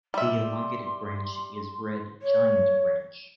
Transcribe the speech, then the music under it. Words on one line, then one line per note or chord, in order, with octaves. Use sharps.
The elongated branch is Red giant branch.
G3 E5 C6
C#5